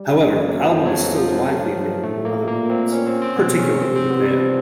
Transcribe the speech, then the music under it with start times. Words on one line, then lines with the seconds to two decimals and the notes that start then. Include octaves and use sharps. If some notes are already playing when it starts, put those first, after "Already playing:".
However, the album is still widely available in other markets, particularly Japan.
Already playing: G3
0.26 F#2 G#3
0.37 A#3
0.49 F#3
0.60 F3
0.70 F2 F3
0.85 F#3
1.00 E3
1.15 F3
1.30 F#3
1.59 G2
2.03 A2 A3
2.25 A#3
2.47 A#2 A#3
2.70 C4
2.92 C#4
3.06 C4
3.22 C4
3.36 B2 B3
3.58 C#4
3.81 C3 C4
3.96 C4
4.10 B3
4.25 G3
4.40 F3